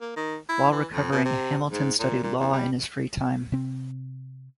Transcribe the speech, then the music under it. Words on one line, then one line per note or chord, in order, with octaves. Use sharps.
While recovering, Hamilton studied law in his free time.
A#3
D#3
E4
E3
F2
B2
C3
G#2
A#2
A#2
E2
G3
C3 C4